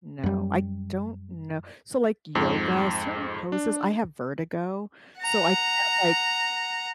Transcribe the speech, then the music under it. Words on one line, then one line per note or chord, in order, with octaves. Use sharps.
No, I don't know so, like, yoga, certain poses I have vertigo, so I can't, like,
F#2 G3
F2 G#2
D4
F#5 A#5